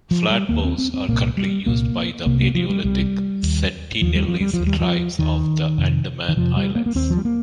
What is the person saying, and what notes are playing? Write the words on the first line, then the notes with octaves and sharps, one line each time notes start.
Flatbows are currently used by the paleolithic Sentinelese tribes of the Andaman Islands.
F3
G3
D#2 A#3
C4
C4
C4
C2 A#2 A#3
G3
C2 A#2 A#3
C2 C3 A#3
A#3
F3
G3
C2 C3 G3
D#2
D#2 F3
G3
F3
G3
F3
D#2
G3
F3
D#2 D#3
F2 C3
D#3
F2 C3 F3
G3
A#3
A#3
D#2 C4
F3
G3
A#3